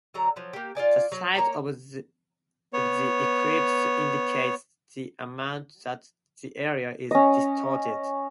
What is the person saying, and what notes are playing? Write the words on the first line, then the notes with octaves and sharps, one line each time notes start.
The size of the ellipse indicates the amount that the area is distorted.
D3 F#3 A#5
F3 F#3
A#3 G4
F4 G#4 D5 G#5
F#3
A#3 C#5 A#5
B3 C#5
C#4 D#5